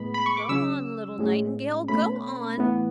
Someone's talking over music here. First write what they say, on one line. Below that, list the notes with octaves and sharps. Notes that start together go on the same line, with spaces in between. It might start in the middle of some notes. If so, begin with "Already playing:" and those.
"Go on, little Nightingale, go on!"
Already playing: A2 G#3 B3 B5
B5
C#6
D6
C#3 F#3 C#4 E6
A2 G#3 C#4
B2 A3 C#4 B5
A2 E3 B3